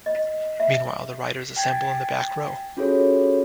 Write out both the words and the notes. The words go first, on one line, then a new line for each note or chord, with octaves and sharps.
Meanwhile the riders assemble in the Back Row.
D#5
E5
G5 G#5 G#6 A6
C#4 F4 F#4 G#4 A4 C#5